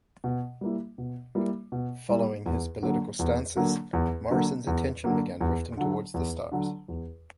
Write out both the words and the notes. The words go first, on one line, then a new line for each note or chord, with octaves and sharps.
Following his political stances, Morrison's attention began drifting towards the stars.
B2
G3 A#3 E4
B2
G3 A#3 E4
B2
G3 A#3 E4
E2
D3 F#3 A#3
E2
D3 F#3 A#3
E2
D3 F#3 A#3
E2
D3 F#3 A#3
E2
D3 F#3
E2
D3 F#3
E2